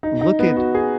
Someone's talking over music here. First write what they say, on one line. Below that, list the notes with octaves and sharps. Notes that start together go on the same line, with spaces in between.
Look at
D#4
D#4
B3
F#4
G#4